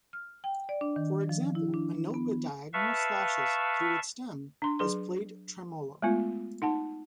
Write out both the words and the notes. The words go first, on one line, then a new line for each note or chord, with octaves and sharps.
For example, a note with diagonal slashes through its stem is played tremolo.
F6
G5
D5
D4
D#3
F3
E4
D4
B3
B4 E5 F5 A5 C#6
D4 C6
F#3 G#4 B4 C6
G#3 A3 B3 F4
D#4 F#5 A5